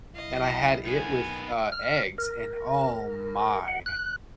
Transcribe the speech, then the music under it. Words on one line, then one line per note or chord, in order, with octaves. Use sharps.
and I had it with, uh, eggs and oh my.
B1 E4 D#5 F5
D#3 B3 G#5
F6
A#4
F#5
F#6